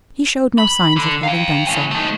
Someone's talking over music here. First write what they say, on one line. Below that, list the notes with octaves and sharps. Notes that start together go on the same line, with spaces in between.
He showed no signs of having done so.
B5
D3
F5 G5
E3 A3
A3 D#4